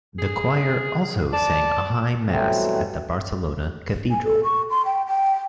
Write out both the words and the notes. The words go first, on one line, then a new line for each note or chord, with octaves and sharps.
The choir also sang a high mass at the Barcelona Cathedral.
G#4
D5 A5
B2 E3 F#3 G3 A3 C4
G#5
A4
C#6
C6
G5
G5